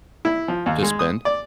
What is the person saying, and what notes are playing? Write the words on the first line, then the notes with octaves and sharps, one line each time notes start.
to spend.
E4
F3
D#2
G#3
D#6
D5